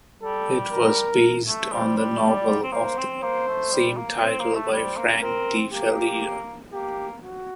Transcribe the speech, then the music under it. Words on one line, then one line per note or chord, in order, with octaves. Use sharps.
It was based on the novel of the same title by Frank De Felitta.
G3 A4
A#4
A3
G3 C5
G3
D5
C4
A#3 C5
C4
A#3 C5
A3
G3
A#3
C4 C5
A#3
A3
G3 C5
A#3
C4 A#4
A#3 G4
A#3 G4
F#4